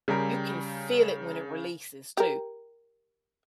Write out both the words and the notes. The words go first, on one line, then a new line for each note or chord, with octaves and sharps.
you can feel it when it releases, too.
C#3 G3 G#4 A#4
G4 A#4